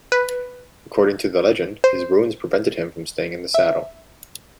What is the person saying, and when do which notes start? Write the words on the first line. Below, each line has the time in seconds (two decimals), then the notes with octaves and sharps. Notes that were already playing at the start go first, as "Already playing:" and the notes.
According to the legend, his wounds prevented him from staying in the saddle.
0.12 B4
1.84 C5
3.54 E5